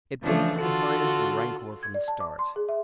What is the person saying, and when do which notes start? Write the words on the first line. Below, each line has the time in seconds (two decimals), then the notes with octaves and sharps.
It breathes defiance and rancor from the start.
0.22 C#3 E3 F3 A3 D4
0.59 D3 F4 F#4 A4
1.83 G#6
1.94 D5
2.08 A5
2.20 D6
2.39 C6
2.56 G#4
2.69 E5